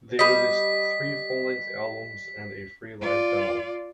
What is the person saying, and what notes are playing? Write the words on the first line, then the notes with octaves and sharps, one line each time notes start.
They released three full-length albums and a free live demo.
G3 D#5 B6
F4 D5